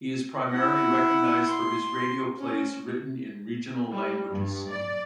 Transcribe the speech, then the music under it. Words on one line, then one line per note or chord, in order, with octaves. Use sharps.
He is primarily recognized for his radio plays written in regional languages.
E4 F#5
C6
C#4
G3
G2
D5